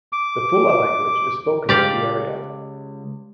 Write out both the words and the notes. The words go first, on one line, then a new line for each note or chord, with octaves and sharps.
The Fula language is spoken in the area.
D6
C#3 G#3 G4 D5 F5